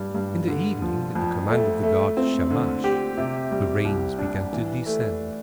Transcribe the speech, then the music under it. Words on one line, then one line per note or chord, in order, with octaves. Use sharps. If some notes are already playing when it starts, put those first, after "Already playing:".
In the evening at the command of the god Shamash the rains began to descend.
Already playing: G2 G3
G2
D3
F3
F2
A3
A3
C4
D3
G4
C3
G3
C2
D4
E3
A3